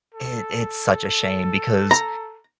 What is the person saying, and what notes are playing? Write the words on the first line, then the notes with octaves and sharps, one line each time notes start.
It it’s such a shame because,
A4
A#5